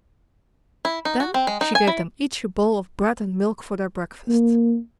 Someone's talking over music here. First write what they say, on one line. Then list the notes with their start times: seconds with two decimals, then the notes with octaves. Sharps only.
Then she gave them each a bowl of bread and milk for their breakfast.
0.85 E4
1.05 D#4
1.20 F#4
1.34 C4
1.47 G#3
1.61 D#4
1.75 G#5
1.87 E4
4.29 A#3